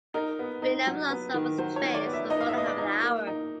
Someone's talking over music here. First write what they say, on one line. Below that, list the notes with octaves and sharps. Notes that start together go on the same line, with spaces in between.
We never lost someone’s trace or more than half an hour.
D#4 A#4
B3
D#4
F#3
B3
D#3
F#3 C5
C#5
D#3
D5
B3
E5
D#4 D#5
F5
E5
B3 D#5
D5
D#4
A#3
D#4